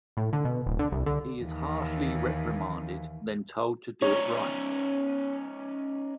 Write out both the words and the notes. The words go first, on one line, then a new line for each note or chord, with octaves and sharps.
He is harshly reprimanded, then told to do it right!
A2
D3
B2
D1
D3
C2
D3
D#2 E3
C#4 D#4 C#5